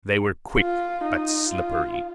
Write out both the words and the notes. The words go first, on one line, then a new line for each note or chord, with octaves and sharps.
They were quick, but slippery.
F4
D#4
F4